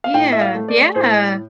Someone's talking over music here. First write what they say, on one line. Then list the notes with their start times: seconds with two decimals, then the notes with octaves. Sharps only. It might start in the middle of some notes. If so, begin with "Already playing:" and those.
Yeah. Yeah,
0.04 F5
0.14 A2 G5
0.32 E5
0.41 F5
0.55 A3
0.68 D5
0.95 A2 C5